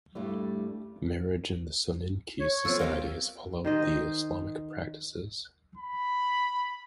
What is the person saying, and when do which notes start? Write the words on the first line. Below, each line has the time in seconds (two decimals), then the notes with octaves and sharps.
Marriage in the Soninke society has followed the Islamic practices.
0.15 G2 G3 A3 E4
2.40 C#5
2.65 F3 F#3 C4 A4
2.79 B3 G4 A#4 F5
3.65 D#3 C5 D#5
5.77 B5